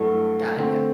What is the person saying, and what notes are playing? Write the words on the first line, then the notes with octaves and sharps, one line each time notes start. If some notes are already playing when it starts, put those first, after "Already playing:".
Got it, yeah.
Already playing: G2 F#3 A3 E4 A4
D3 A3 C4